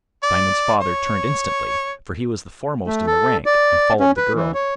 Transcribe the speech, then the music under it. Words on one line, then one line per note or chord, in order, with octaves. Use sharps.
Diamond's father turned instantly, for he was the foremost in the rank, and followed the girl.
D5
C#5
A3
A4
D5
C#4
B4
E3
C#5